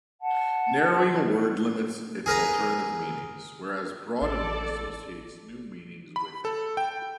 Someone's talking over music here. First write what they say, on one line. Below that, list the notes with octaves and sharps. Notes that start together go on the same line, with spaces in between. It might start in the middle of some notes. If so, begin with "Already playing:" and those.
Narrowing a word limits its alternative meanings, whereas broadening associates new meanings with it.
F#5 A5
G#4 A#4 B4 A#5
A1 A4 D5
B5
A4
G5